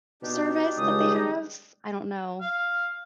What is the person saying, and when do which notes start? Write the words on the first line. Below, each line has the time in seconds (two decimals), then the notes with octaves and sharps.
service that they have? I don't know,
0.22 B2 D4 D#4 G4
0.77 C#2 D#3 G3 G#3 D#6
2.42 F5